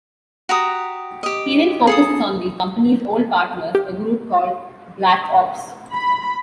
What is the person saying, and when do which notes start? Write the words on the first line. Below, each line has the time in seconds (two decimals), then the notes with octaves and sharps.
He then focuses on the company's old partners, a group called "Black Ops".
0.49 F#4 G4 A#5 D#6
1.23 G4 D#5
1.87 G#4 A4 D#6
3.75 G4
5.92 B5